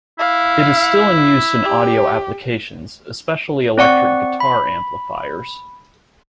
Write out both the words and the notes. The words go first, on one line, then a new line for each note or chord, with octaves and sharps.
It is still in use in audio applications, especially electric guitar amplifiers.
E4 F5
G4
C4 D5 F#5 C#6
B5